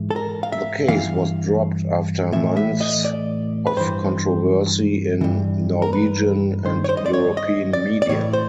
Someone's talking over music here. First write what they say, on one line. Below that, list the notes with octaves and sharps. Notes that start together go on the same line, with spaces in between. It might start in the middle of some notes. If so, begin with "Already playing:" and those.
The case was dropped after months of controversy in Norwegian and European media.
Already playing: G#2 E3
A4
A#4
F5
E5
G2 E3 F5
A2 E3 E5
E5
D#5
D5
B4
G2 E3 C5
G2 E3
A#4
B4
G2 D#3 C5
C#5
C5
D#5
D5
C#5
D#5
D5
D5
A2 E3 C#5
C5